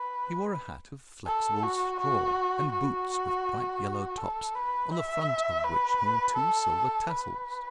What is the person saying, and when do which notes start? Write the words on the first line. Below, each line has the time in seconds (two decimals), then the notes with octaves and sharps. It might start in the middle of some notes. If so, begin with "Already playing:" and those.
He wore a hat of flexible straw and boots with bright yellow tops, on the front of which hung two silver tassels.
Already playing: B4
1.26 A4
1.63 F#4
2.00 F#4
2.72 F#4
4.18 A4
4.55 B4
4.91 E5
5.64 B4
6.36 A4
7.09 B4